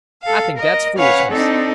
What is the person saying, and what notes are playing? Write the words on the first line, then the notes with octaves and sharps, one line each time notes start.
I think that's foolishness.
A4 F5
A#4 D#5
C#4 B4 C#5 F5 F#5 G#5
C4 D4 D#4 A4